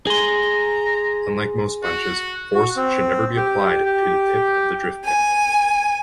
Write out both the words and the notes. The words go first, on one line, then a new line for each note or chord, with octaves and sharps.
Unlike most punches, force should never be applied to the tip of drift pin.
G#4 A#5 C6
F#4
F#4
C4
G4
G4
G#5